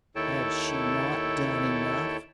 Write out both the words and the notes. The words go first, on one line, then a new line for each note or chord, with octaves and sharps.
Had she not done enough?
D#2 E4 A4 C#5 G5 A5